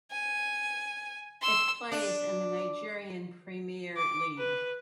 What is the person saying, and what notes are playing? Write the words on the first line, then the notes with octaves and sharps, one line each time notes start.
It plays in the Nigerian Premier League.
G#5
C6 E6
D4
D6
B4